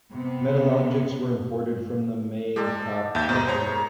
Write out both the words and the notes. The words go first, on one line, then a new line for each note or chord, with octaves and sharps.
Metal objects were imported from the Maykop culture.
C3 B3
G#3 G4 A4 D5
D#2 B4 E5 G6
B2 D#4 B4 D#5
C5 C#5 A#5 D#6
G#4 A#4